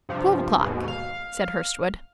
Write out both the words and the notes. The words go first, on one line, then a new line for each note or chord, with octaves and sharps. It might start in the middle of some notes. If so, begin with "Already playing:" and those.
"Twelve o'clock," said Hurstwood.
G2 C3 F3
D#2 G#2 B2
F5